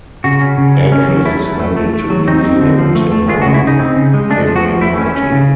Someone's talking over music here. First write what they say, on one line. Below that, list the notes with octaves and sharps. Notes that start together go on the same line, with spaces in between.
Edris is married to New Zealand tenor Pene Pati.
C#3 F#4
C#4
C#3
F#3
C#4
F#3
A3 E4
F#3
A3
A3
A3
F#3
C4 D#4
C4
D3
F3
A3
A3
G#3 F4
F#4
C#3
E4
C#3 D#4
C4
C#3
G#3
A3 D4
F3
F#4
F3
A3 E4
C#4
C#4
C#3